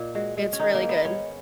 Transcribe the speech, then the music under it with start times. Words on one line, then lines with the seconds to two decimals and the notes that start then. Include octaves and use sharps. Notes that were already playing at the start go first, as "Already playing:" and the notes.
it's really good.
Already playing: A#2 D#5
0.15 G#3 F#4
0.37 G#3
0.53 C#4
0.60 D#3 D#4
0.74 A#3
0.82 G#2
0.89 B3
1.05 G#3 C#4